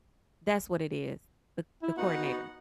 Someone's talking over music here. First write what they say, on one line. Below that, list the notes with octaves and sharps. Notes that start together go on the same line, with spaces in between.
That’s what it is, the the coordinator.
E4
B3 D#4 F#4 F#5